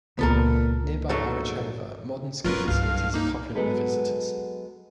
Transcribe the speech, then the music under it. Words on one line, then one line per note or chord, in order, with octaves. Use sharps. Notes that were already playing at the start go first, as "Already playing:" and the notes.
Nearby Arachova, modern ski facilities are popular with visitors.
C#2 A#2 C#3 B3 A4 A#4
A#1 G#2 F#3 A3
F#2 F3 G#3 F4 A#4 B4
C2 G2 F#3 F5
A#3 D#4
F#3 G#3 B3 D#4 A4 B4